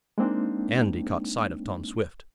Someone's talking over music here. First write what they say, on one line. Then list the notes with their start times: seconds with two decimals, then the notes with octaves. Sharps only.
Andy caught sight of Tom Swift.
0.18 G#3 A#3 C4 D4 D#4